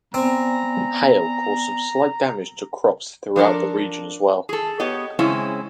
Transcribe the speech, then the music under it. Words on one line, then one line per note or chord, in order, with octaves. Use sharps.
Hail caused some slight damage to crops throughout the region as well.
B3 C4 D5 G#5 A#5
F3 D4 A4 A#4
G#4 A4
B3 G4 C#5 D#5
C#3 G#3 C4 C#4 E4